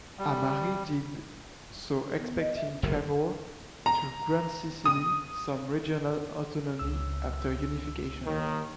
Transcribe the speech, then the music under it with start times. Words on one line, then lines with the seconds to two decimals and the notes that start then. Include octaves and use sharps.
Amari did so expecting Cavour to grant Sicily some regional autonomy after unification.
0.19 G3
2.19 B3
2.40 D#5
2.55 E5
2.70 C#4
2.83 F#1 E2 C3 A#4
3.86 A#5
4.85 D#6
6.79 C#2 E6
8.26 D#2 D#3